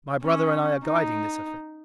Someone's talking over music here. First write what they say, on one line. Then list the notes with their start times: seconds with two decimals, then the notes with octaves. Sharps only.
My brother and I are guiding this affair.
0.23 C#4
0.84 D#4